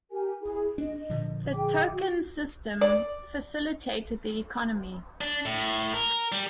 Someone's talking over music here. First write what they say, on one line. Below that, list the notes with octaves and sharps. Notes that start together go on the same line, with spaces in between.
The token system facilitated the economy.
G4 A#4 G#5
E4 G#4
D4 D#5
A#2 D3 F3
G#4 G5 D6
F#4
D5
D4
A2
A#4
G3